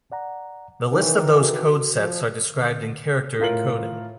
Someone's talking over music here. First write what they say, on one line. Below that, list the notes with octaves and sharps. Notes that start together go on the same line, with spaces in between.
The list of those codesets are described in character encoding.
D5 F#5 A#5
D#3 E3 D#4 A#4 C#5
F#4 A4
F3
A2 F4 A#4 F#7